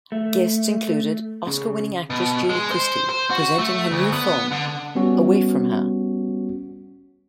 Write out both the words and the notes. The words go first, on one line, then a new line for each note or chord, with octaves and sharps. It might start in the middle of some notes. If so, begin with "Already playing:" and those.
Guests included Oscar-winning actress Julie Christie presenting her new film "Away From Her".
A3
C#3
B2
G#3
C5
C5
F#4
A3
D2
B3
D3
G3 B3 C#4 F#4